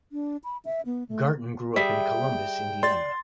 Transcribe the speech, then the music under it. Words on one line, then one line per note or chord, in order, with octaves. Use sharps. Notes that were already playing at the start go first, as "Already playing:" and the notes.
Garton grew up in Columbus, Indiana.
D4
B5
E5
B3
A3
G3 G#4 E5 G5
D5 C6 A6